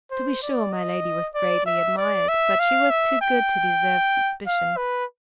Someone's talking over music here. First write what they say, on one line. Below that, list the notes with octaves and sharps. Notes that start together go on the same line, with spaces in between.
To be sure my lady was greatly admired, but she was too good to deserve suspicion.
C5
D5
D#5
D5
E5
D5
E5
F5
E5
G5
F5
B4